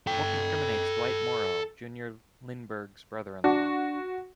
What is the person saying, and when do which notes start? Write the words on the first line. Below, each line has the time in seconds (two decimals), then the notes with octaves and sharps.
The book incriminates Dwight Morrow, Junior Lindbergh's brother-in-law.
0.07 A4 G5
3.44 D4 F#4